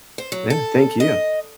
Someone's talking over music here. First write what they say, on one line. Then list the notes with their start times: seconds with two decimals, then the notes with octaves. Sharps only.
Yeah, thank you.
0.18 C5
0.32 F#3
0.50 A4
1.00 D#5